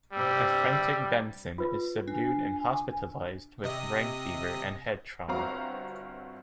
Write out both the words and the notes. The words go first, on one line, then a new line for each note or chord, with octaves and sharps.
A frantic Benson is subdued and hospitalized with "brain fever" and head trauma.
G2 C3 G3 E6
F4 B4
D4 G#5
C3 D#5 D#6
G1 G2 C4 F#4 F5 A#5